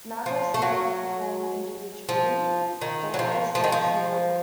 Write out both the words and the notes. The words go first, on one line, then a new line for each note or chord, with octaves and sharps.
Nagas never perform individually, they always dance in a group.
F3
A3
F#3
F3
D#3
F#3
F3
F3
D#3
F3